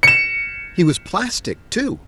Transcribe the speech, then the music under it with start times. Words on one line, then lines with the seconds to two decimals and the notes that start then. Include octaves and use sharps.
He was plastic, too.
0.03 C#7 E7